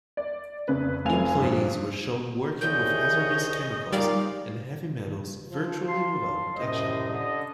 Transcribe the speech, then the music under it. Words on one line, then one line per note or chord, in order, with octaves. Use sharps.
Employees were shown working with hazardous chemicals and heavy metals virtually without protection.
D5
F1 C#3 B4
F1 F3 A3 F5 G#5 F7
G2 F3
C2 G#4 C#5 D#5 G6
A#2 G3 D#4 D5 F5
F3
F5 A5 C6
F#2 A2 C3 G3 C5 D#5
D3 D#5